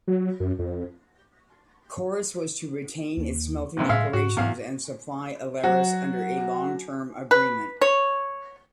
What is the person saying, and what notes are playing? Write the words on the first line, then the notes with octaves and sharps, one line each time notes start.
Corus was to retain its smelting operations and supply Aleris under a long-term agreement.
F#3
F#2
F2
D#2 A#3
A#1 G2 C3
A2 G#3 E5 F5
G#2 F#4
E2 G#2 B3 F5
F#3 F#4
B4
C#5